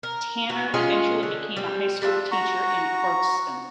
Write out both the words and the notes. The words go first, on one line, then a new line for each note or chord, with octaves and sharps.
Tanner eventually became a high school teacher in Cardston.
A#4
E3 F#4
G#3 C#4 F4 G#4
D3
G3 C4
G3 D4 F4 E5
F#4 A#5 C#6